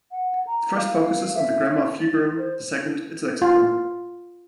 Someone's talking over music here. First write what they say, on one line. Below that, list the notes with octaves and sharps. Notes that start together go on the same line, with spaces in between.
The first focuses on the grammar of Hebrew, the second its lexicon.
F#5
A#5
F5
E5
A6
C5
F4